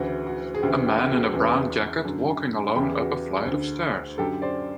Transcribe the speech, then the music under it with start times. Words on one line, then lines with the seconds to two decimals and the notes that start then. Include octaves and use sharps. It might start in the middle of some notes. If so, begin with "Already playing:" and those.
A man in a brown jacket walking alone up a flight of stairs.
Already playing: D2 C#3 E3 F#4
0.27 F#4
0.55 G#4
0.63 D2 C#3 E3 G4
0.86 G4
1.10 F#4 G#4
1.33 E2 C#3 E3
2.05 F#2 D3
2.76 E2 C#3 E3 G4
3.00 F#4
3.47 D2
3.52 D3
4.18 F#2 D3 G4 A4
4.42 C5 D5